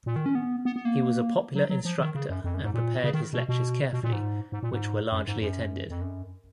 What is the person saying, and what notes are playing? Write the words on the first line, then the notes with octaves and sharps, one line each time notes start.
He was a popular instructor and prepared his lectures carefully, which were largely attended.
A#2
D#3
C#4
B3
B3
B3
A#3
F#3
F#3
F3
D#3
C#3
F#2
F2
F#2
G#2
A#2
C#3
D#3
B2
B2
B2
A#2
G#2
G#2
A#2
G#2
F#2
G#2
F#2
F2
F#2